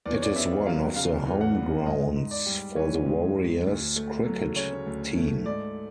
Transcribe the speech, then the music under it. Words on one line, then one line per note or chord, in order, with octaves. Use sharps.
It is one of the home grounds for the Warriors cricket team.
E2 D5
C#5
D5
B3 E5
F#3 F5
C#3 F5
E2
F#5
B3
G#2 D#5
G#2
D5
G3
E3 C#5
G#2
G#2
D2
A3
F#3
C#3 C#5
D2
A3
G#2 D5